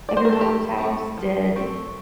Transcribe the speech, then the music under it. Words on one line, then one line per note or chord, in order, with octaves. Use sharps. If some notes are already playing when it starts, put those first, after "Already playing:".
of your mom's house, did
D5
C5
A#4
A4
F3 G4
A3 C4
F3
A3 C4